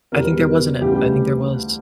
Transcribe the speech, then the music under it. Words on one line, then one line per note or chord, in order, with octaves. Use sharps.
I think there wasn't it I think there was.
E2 B2 G3 A#4
D2 C#3 E3 G3 G4